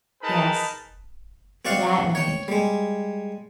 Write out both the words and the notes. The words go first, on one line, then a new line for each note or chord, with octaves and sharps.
Yes, for that night.
D#4 G#4 A#4 B4 A5 B5
C4 F#4 D5 F5 F#5
C#5 G5
G3 G#3